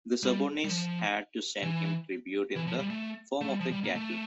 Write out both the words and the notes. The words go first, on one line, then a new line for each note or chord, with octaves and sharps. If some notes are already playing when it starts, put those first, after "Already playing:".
The subordinates had to send him tribute in the form of cattle.
G3
G3
F3
E3
E3
F3
G3
A3
A3
G3
F3
G3
A#3
A3